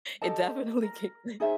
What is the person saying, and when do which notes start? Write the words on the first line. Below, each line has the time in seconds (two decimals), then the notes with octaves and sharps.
it definitely kicked in.
0.22 G4 A4 D#5 A5
0.83 A#4
1.40 D#4 G#4 C5 E5